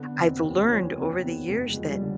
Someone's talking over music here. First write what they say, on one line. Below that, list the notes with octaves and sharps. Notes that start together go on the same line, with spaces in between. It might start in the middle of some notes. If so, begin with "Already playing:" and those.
I've learned over the years that
Already playing: D3 B3
F1
C4
D#2
F3 C#4
F1 C4
D#2 B3
F1 A3
G#3
F3
G3
D3